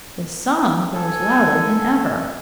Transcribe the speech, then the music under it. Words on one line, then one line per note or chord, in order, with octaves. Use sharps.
The song grows louder than ever.
A4 G#5